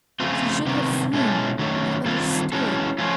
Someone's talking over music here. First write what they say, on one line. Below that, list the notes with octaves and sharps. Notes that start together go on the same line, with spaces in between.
She should have seen--have understood.
C#3 F3 A3 C4 F4
C3 D#3 G3 B3
B2 G#3 C#4 E4 A4
D#3 F#3 A3 C#4
D#3 G3 C4 F4 A4
E3 G#3 C#4 F#4 A4
F3 A3 C#4 F4